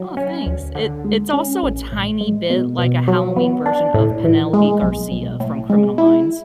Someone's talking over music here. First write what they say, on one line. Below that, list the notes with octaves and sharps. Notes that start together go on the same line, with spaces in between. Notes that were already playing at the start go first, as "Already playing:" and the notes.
Aw thanks. It it's also a tiny bit like a Halloween version of Penelope Garcia from Criminal Minds.
Already playing: F#3
C#4
D2
D3
G#3
C#4
A1
A2
G#3
B2
B2
F#3
B3
D4
A2
E3
G#3
B1
B1
A2
G#3
E4